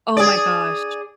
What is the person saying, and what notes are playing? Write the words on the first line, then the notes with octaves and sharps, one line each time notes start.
Oh my gosh.
G#4 D5